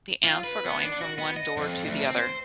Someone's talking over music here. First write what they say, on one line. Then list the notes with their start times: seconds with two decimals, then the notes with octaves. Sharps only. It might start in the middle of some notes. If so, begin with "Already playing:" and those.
the ants were going from one door to the other.
0.24 F4
0.44 B4
0.65 B3
0.84 D4
1.01 F#4
1.18 B3
1.36 D#5
1.57 F2
1.85 D2
2.05 C4
2.19 C5